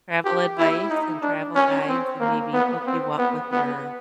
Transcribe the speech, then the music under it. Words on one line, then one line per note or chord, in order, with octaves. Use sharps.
travel advice and travel guides and maybe hook you up with your,
G4
E4
D#4
D4
C#4
C4
A#3
B3
C4
B3
B3